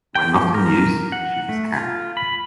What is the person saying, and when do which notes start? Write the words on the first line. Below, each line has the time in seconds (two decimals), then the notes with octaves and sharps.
When not in use, the tube is capped.
0.15 G5
0.33 F3
0.55 A#4
1.12 F#5
1.49 A3
1.76 F4
2.17 B5